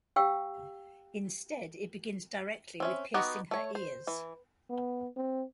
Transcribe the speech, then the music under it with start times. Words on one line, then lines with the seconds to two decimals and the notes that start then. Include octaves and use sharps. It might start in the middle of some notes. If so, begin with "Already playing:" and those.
Instead it begins directly with piercing her ears.
0.16 G4 F5 G5 E6
2.80 C4 C#4 E5
3.14 B3 D#4 F#4 G4
3.51 A3 C#5
3.75 C5
4.07 E3
4.70 B3
5.17 C4